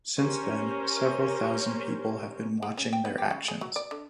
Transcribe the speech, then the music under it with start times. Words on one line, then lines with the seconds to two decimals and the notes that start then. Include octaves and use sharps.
Since then, several thousand people have been watching their actions.
0.19 C#4 G4 A#4 C5
2.63 G#3
2.77 C#4
2.93 G5
3.05 B3
3.18 G4
3.30 C#3
3.48 G#4
3.61 F#3
3.76 D5
3.91 D3